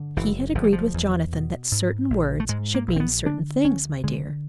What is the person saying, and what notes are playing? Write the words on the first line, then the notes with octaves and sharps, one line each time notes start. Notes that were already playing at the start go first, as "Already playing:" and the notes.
"He had agreed with Jonathan that certain words should mean certain things, my dear."
Already playing: G2 D3
F#1 E3
F#1 F3
E3
F3
E2
B2
G#2
A#1
A3
G#2 G#3
A#3
A#1
C4
B3
D3 D4
D2 C#4
D3 G#3